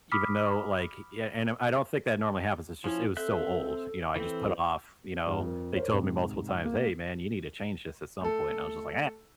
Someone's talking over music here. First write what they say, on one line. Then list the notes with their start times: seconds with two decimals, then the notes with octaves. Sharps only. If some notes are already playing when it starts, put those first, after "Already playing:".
even though, like yeah, and I I don't think that normally happens, it's just, it was so old, you know, I just put it off, you know they told me multiple times, "Hey man, you need to change this at some point," and I was just like,
0.12 B5 D6 D#6 F6 B6
2.84 F3 C#4 E4
3.17 C4 A4 E5 F#6
4.16 E3 C4 A4
5.27 G2
5.40 F2 A#4
5.75 A#4 C5 C#5
5.93 G#2 C3
6.65 A#3
8.21 A3 A4